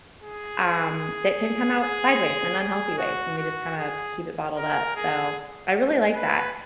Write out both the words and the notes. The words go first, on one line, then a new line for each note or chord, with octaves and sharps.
um, that can come out sideways and unhealthy ways when we just kinda keep it bottled up. So, I really like that.
G#4
G#4
G#4
F#4
F#4
G#4
A#4
G#4
B4